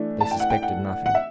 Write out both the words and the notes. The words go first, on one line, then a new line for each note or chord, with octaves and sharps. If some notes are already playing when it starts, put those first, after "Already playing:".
They suspected nothing.
Already playing: E3 A3 D4
A5
G5
F#5
G5
F#5
F#5
E5